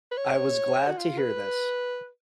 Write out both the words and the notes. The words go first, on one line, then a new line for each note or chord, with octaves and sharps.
I was glad to hear this.
B4
C#5
F#4
F4
B4